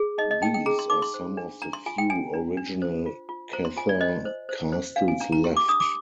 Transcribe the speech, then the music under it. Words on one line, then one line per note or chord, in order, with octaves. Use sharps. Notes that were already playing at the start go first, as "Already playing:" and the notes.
These are some of the few original Cathar castles left.
Already playing: G#4
D#4 D#5
D#5
D#4 G5
G5
G#4 A#5
C6
D#4 D6
C6
C5
D4
D4 A#5
C6
F4 G#5
G5
D4 G#5
D4
D4
C5
F4
F4
C5 A#5
C6
F4 G#5
D5
C5 D#5
C5
C5
C5
D4 F5
G#5
D4 A#5
A#5
G4 C6
D6
D4 D#6
D6